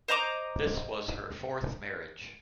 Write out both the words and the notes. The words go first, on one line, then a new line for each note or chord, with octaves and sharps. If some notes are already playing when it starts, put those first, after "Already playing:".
This was her fourth marriage.
C5 D#5 A#5 D6